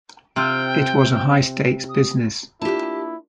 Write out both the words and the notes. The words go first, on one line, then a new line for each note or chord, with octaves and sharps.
It was a high-stakes business.
C3 C4 F4 G5
D#6
A#3 D4 E4 F4 G4 A5